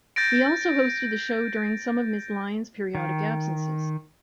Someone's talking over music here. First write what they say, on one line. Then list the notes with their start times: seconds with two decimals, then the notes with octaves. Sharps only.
He also hosted the show during some of Ms. Lyons' periodic absences.
0.16 G6 A6 A#6 D7
2.95 D#3